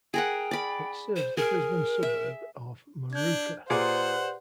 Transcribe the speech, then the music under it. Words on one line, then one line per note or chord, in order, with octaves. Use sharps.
It serves the Brisbane suburb of Moorooka.
G#4 A#4 F#5 G5
D5 B5
C5
G#4 A#4
E5
D4 G6 G#6
A#2 G4 G#4 B4 C5 D5 F#5 D6